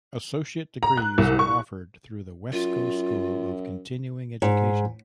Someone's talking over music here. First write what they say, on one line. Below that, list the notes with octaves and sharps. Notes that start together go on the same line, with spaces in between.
Associate degrees are offered through the Wescoe School of Continuing Education.
A#5
F#6
C2
C#6
F#2 F4
G#2